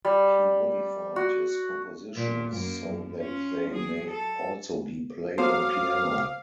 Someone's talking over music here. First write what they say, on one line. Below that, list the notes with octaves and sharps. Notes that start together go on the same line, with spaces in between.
He modified his compositions so that they may also be played on piano.
G3
F#4
A#2
F#2 A#3
F#2
C#4 F4
F#3 G#4
A4
F#3 F#4 A4 C5 F5 D6 D#6 F6